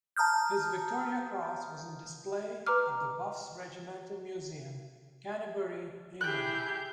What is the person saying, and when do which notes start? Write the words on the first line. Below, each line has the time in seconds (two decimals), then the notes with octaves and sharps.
His Victoria Cross was on display at The Buffs Regimental Museum, Canterbury, England.
0.16 A5 A#5 D#6 F6 G6
2.67 B4 A#5 D6 F6
6.21 E4 G4 G#4 G5 F#6 G6